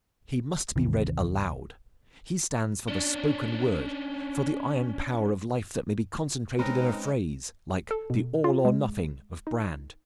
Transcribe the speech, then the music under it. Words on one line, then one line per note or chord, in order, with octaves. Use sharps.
He must be read aloud. He stands for the spoken word, for the iron power of life that may be concentrated in a phrase like the "All or nothing" of Brand.
G#1 D#2 C3 E3
C#4 D4
G#3 C4 C#4 D#4 A#4 B4
A4
B2
F4
G#3
D#4